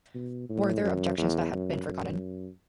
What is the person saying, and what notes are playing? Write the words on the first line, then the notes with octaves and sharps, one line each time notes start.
Were there objections that had been forgotten?
B2
A2
F#2
E2
F#2
F#2